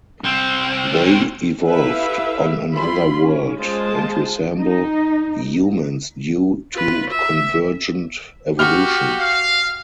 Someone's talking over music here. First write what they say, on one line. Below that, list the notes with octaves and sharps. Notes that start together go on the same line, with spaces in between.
They evolved on another world and resemble humans due to convergent evolution.
C2 C4
E4 G4 A4 B4 E5 F5
G3 E4 F4 B5 C6
C#4
G#3 F4 C5 A5
D#4
F4 B4
E5
F#4 G4 F6
F5